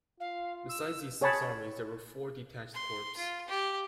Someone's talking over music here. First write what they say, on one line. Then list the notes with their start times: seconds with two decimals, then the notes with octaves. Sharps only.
Besides these six armies there were four detached corps.
0.20 F4 F5
0.69 E6
1.21 G#4 C#5 G5 A5 B5 C#6
2.74 C6
3.17 F4
3.48 G4